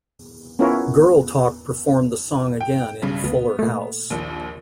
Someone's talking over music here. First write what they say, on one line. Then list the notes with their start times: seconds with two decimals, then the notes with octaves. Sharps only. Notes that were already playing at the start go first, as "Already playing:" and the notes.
Girl Talk performed the song again in "Fuller House".
0.59 B3 C#4 E4 F4 A#4 C#5
2.61 G5
3.02 B1 G2 C#3
3.24 D2 B3
3.59 A#2 A3
4.10 A#1 D#2